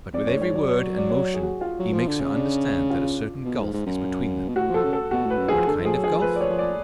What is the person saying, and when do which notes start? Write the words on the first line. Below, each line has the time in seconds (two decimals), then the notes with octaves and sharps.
But with every word and motion he makes her understand that a certain gulf is between them. What kind of gulf?
0.13 F2 D5
0.27 F#2 C#5
0.35 A2
0.41 G#2 C#5
0.55 F#3 D5
0.69 C#5
0.97 D5
1.10 C#5
1.34 G#4
1.43 F#4
1.61 F4
1.79 F#3
1.93 F3
2.08 D3
2.21 C#3
2.34 D4
2.90 F4
3.45 B2
3.60 G#2
3.73 G#2
3.87 F#2
4.48 B2
4.55 A2 F#4
4.70 F3 A4
4.84 C#3
4.93 A4
5.11 B2 F#4
5.25 A2 B4
5.38 F#2
5.48 F3 G#4
5.67 D3 A4
5.80 F3 G#4
5.95 F#3
6.04 F3 G#4
6.22 F3 B4
6.36 D5
6.41 C#5
6.50 F3
6.58 D5